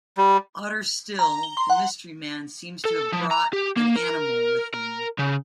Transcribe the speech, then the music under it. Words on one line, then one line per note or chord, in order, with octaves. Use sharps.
Odder still, the mystery man seems to have brought an animal with him.
G3
A#5
G7
C6
F#5
A4
F3
A#5
G4
A#3
A#4
A#4
C#3